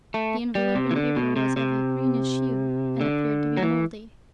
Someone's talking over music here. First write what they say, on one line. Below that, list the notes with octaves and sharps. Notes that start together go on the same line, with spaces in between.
The enveloping paper was of a greenish hue, and appeared to be mouldy.
A3
G3
C3
E3
D3
B2
C3
C3
D3
F#3
E3